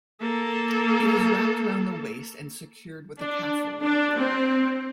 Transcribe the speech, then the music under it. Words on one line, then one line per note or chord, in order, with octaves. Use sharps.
It is wrapped around the waist and secured with a kafa rope.
A#3 A4
D4
D4
C4